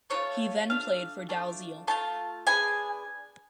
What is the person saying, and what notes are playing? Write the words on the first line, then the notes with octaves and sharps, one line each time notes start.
He then played for Dalziel.
A3 D4 F4 C#5
A3 D4 F4 F5
A3 D4 F4
A3 D4 F4 A5
B3 D4 G#4 G#5